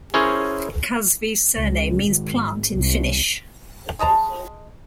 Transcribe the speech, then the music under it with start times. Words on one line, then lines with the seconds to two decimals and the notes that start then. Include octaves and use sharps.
Kasvi's surname means "plant" in Finnish.
0.14 C#4 E4 G#4 A#4 C5 C#5
1.57 C#2
2.07 G#1
2.74 C2
3.99 G#3 D#5 A5 A#5